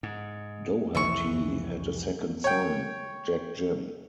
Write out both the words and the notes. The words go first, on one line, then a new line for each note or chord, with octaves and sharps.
Doherty had a second son, Jack Jim.
G#2
C2 F2 E3 E5 C#6
C#5 G5